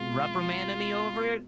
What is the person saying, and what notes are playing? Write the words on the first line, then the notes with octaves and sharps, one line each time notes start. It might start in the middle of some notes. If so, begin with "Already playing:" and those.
reprimanding me over it,
Already playing: B2 G#3 C4 F4